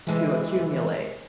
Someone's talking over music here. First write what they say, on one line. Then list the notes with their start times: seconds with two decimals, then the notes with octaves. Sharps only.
To accumulate.
0.07 C3 E3 G#3 G#5